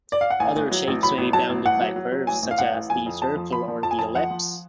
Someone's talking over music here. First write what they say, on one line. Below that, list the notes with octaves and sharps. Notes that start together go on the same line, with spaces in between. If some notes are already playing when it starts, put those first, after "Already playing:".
Other shapes may be bounded by curves such as the circle or the ellipse.
D5
F5
F#5
A1 G#5
A1
F#3
A1
F#3 B5
A1
F#3 A5
A1
A1 F#5
F#3
F#3
F#3
A1 G#5
A1
F5
A1 F#5
A1
F2 G#5
F2
F2 A5
F3
F3 B5
F3
F2 A5
G#5
F2 A5
F3 F#5
F3